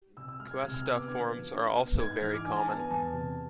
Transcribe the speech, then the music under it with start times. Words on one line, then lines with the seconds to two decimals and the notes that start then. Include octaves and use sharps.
Cuesta forms are also very common.
0.17 C3 E6
0.28 E6
0.40 G#3 F6
0.51 G#6
0.63 C3 F6
0.74 F6
0.85 B3 E6
0.97 D6
1.08 D3 G#6
1.31 F3
1.54 D4
1.77 B3
2.00 G#2 G#6
2.11 G#6
2.22 E3 F6
2.34 D6
2.45 D4 G#5
2.57 A5
2.68 B3 A5
2.79 G#5
2.91 E2 A5
3.13 C3